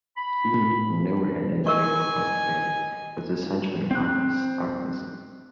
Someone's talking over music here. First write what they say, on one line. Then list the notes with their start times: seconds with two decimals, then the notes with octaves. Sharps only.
Keene, who never had any regular art training, was essentially an artist's artist.
0.17 B5
1.67 A#4 D#5 G#5 C#6
3.91 C4 F#6